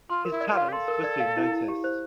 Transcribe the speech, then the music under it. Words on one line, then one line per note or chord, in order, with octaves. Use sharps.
His talents were soon noticed.
F4 C6
A#4
E4
D5
F4
F5
G4
A4 C6
A#4
D5
F5
E4
E4
G4
C5